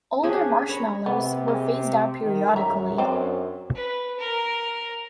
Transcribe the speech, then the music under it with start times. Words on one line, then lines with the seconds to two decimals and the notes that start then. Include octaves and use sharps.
Older marshmallows were phased out periodically.
0.23 C#4 D4 G4 G#4
0.69 C#5 A#5 B5
1.06 C3 B3
1.48 G#3
2.23 D#3
2.56 F#2 E5 A#5
2.98 F#2 C4 D4
3.75 B4
4.18 A#4